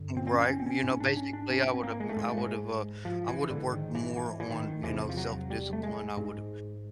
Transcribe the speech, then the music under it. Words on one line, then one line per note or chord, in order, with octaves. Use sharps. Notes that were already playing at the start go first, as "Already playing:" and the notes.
Right, you know, basically, I would've I would've uh, I would've worked more on, you know, self-discipline, I would've
Already playing: G2 D3
C4
C4
C#4
C4
C#4
C4
C#4
G#2 C#4
D4
C#4
D4
C#4
C#4
C4
A#3
G#3
A3
G#2 G#3
A3
G#3
F3
E3
G#2 D3
D#3
E3
E3
E3
D#3
E2 C3 E3
F3
F#3
G3
A3
G#3
G#2